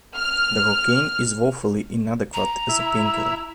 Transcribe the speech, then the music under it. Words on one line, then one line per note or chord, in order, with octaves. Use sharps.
The cocaine is woefully inadequate as a pain killer.
F6
A#5
E4